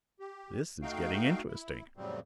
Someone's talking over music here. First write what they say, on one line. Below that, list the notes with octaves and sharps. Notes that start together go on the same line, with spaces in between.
This is getting interesting!
G4
A3 D#4 F#4 F5 G5
E4
F2 A2 C#3 F#3 G3 C4